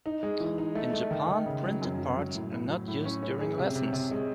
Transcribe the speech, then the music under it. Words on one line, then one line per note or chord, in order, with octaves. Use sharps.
In Japan, printed parts are not used during lessons.
D#4
G#3
E3
D#4
A3
A3
D#3
D#3
C#3
F#3
F#2
F#3
F#3
A2
A2
F#3
A2
C#4
C#4
G#4
C3
C3
C3
G#3